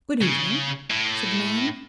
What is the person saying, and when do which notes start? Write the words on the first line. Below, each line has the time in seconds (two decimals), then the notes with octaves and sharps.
"Good-evening," said the man.
0.22 C#3
0.90 A2